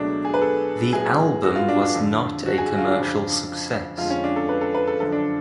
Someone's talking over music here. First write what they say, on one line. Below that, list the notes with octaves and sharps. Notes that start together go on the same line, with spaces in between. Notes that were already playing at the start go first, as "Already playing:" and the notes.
The album was not a commercial success.
Already playing: C#2 B2 F#3 A3 D4
G#4
B4
A4
A2 F#3 B3 G#4
F#4
F4
D4
D4
F2 D3 F3
F#4
G#4
F#4
F4
D4
F2 C#3 F3
F2 D3 G#3 F4
C#4
D4
A4
B4
A4
B4
A4
F#2 D3 F3 A4
D4